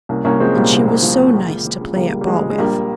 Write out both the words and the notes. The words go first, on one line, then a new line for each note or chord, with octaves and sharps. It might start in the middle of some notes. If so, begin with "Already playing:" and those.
And she was so nice to play at ball with!
C2 A#3 C#4
C2 A#3 C#4
F3 G#3 C4
A#2 G3 A#3
C2
C2
F3
A#2
C#2
C#2
F3
C#3
C#2 G3 A#3
C#2
G3
F3 G#3
C#3
G#3
A#1 G3 A#3